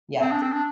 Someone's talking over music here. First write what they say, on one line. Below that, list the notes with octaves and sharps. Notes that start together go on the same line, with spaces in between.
Yeah, t
C4
D4
C4
D4